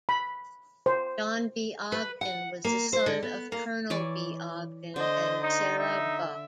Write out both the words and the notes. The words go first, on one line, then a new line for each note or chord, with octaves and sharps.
John B. Ogden was the son of Colonel John B. Ogden and Sarah Buck.
B5
C5
B4
F#5
A#3
C5
D3
B3
A#3
E3 C#5 D5
D3 C5 D#5
D#4
D#4 E5